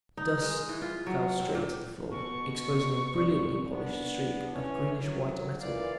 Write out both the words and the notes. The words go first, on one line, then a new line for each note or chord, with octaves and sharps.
The dust fell straight to the floor, exposing a brilliantly polished streak of greenish-white metal.
D#4
G#3
E3
F4
F#3
C4
A#2
B2 C#6
B1 G2 C4 G4 D5
B3 D4
E3 C#4 C#5
F#3
A#2 E3 D5 F5